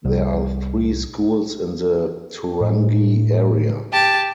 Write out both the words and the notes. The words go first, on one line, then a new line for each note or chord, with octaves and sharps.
There are three schools in the Turangi area.
C2
A2
G4 A5